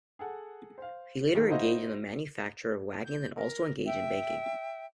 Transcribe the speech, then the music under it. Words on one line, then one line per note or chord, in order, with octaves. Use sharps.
He later engaged in the manufacture of wagons and also engaged in banking.
G#4 A4 F#5
C5 F5
D#1 D#2 D#3 A3 A#3
D#4 E4 F#4 C5 D#5 F5
G6
A#4
E5 G5